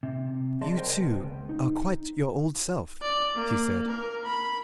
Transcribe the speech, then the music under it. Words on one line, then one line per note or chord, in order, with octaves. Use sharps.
"You, too, are quite your old self," he said.
C3
F#3 G#4 D5 D#5 A5 C6
A#4 C5 D#5 G5 G#5
B3
C#2
D#4
D5
A#3
A#4
B5